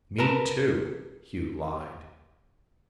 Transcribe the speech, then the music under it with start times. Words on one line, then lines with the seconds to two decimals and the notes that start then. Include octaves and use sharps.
"Me, too," Hugh lied.
0.18 A#4 B4 A5 A#5